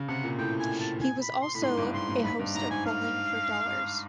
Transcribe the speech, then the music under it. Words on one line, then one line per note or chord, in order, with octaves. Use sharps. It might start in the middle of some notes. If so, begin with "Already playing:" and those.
He was also a host of "Bowling for Dollars".
Already playing: C#3
C3 F#5
A#2
A2 G5
G#5
A5
G#5
B5
C6
A2 B5
G#2 C6
G2
G#2 C6
G2
G#2 B5
G2
G#2 A#5
G#2 G#5
F5